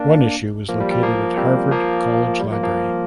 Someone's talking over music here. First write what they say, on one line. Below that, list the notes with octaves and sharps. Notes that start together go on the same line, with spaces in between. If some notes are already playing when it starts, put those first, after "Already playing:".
One issue is located at Harvard College Library.
Already playing: A#3 D4
F3 A#3
G3
G3
F3 A#3
G3 C4
F3 A#3
G3
F3 A#3
F3 A#3